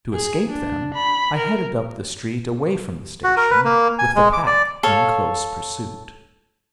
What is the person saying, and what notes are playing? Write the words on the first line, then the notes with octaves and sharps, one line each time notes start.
To escape them, I headed up the street away from the station, with the pack in close pursuit.
G#4
D4
B5
A#4
F#4
A#4
B4
A#3
G#5
G#3
D6
D5
A4 C#5 F5